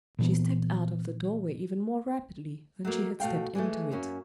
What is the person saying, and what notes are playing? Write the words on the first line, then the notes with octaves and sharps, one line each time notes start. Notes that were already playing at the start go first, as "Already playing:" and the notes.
She stepped out of the doorway even more rapidly than she had stepped into it.
A#2 E3 B3
F#3 A3 A#3
B2 A3 F5 G5
E3 G#3 A3
F#2 A#3 C#4